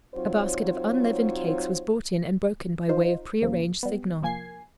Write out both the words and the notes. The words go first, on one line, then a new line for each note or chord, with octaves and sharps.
A basket of unleavened cakes was brought in and broken, by way of prearranged signal.
F#3 C4 D#4 F4 C5 C#5
D#4 F4 C5
D#2 A#2 C#3 F3 A#3
G3 B3
C2 F3 A#3 G#5 G#6 C7